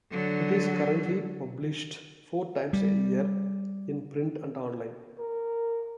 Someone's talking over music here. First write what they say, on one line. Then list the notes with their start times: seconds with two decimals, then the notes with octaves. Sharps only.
It is currently published four times a year, in print and online.
0.12 D3 F#3
2.73 G3
5.19 A#4